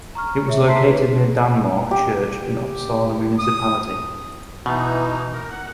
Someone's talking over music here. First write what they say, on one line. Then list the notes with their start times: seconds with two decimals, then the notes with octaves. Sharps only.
It was located near Danmark Church in Uppsala Municipality.
0.15 A#5 C#6 F6
0.46 G#4 C#5 E5
0.66 E5 A5 A#5 C6 B6 C7
0.84 D#4 G4 G#4 B4 C#5
1.91 G4
3.39 D#6
4.66 B2 E3 D#4
5.33 A#4
5.49 F#5